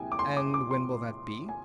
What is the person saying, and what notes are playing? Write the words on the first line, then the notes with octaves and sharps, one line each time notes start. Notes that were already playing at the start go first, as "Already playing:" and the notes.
"And when will that be?"
Already playing: C2 A#2 F3 G#3 G5 G#5
D6
C6
D6
D6
C6
G#5